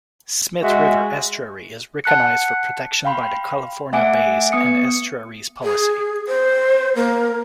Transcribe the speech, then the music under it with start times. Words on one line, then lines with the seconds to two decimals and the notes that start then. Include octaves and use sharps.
Smith River estuary is recognized for protection by the California Bays and Estuaries Policy.
0.62 G#3 F#4 E5
2.04 F#5 A5 F#6 C#7
3.05 F5 G5 B5 C6
3.93 A3 E5 F#5 G#5 D6 D7
4.52 B3 D#6 C#7
5.63 G#4
6.28 C5
6.96 A#3